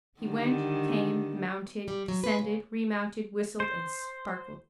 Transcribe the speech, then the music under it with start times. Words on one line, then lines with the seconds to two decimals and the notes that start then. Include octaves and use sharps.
He went, came, mounted, descended, re-mounted, whistled, and sparkled.
0.20 D3 D#3 G3
1.88 G3
2.08 F#3
2.24 B4
2.39 C#3
3.60 C5